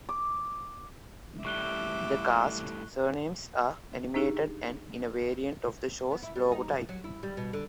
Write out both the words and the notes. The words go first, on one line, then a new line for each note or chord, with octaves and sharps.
The cast's surnames are animated and in a variant of the show's logotype.
D6
A2 G3 E5 C#6 D6 F#6 G7
D4 D#4 G4 G#4
B3
E4
G3
D#4
F#2
F#3
E4
G3
B2
D3